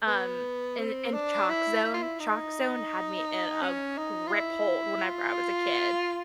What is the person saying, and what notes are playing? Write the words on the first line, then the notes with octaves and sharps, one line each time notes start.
um, and and Chalkzone, Chalkzone had me in a grip hold whenever I was a kid,
B3
C4
D4
E4
E4
F4
E4
D#4
C#4
D#4
F4
E4
F4